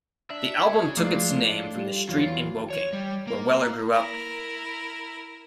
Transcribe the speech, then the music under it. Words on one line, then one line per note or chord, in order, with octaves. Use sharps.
The album took its name from the street in Woking where Weller grew up.
D4 E5
G#4 C#5
F3 G#3 A3 D4 F4
A2 D5
G3
E2 E3 F#3 F4
C#5
G3
A#3
E4 A#4